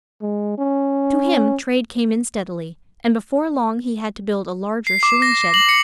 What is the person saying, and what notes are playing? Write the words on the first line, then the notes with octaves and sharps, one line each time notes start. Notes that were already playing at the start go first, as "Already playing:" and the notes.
To him trade came in steadily, and before long he had to build a larger shoeing-shed.
G#3
C#4
C7
D6
A#6
F#7
C#7